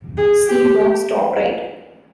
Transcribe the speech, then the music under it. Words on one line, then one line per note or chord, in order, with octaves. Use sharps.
See box, top right.
G#4
G4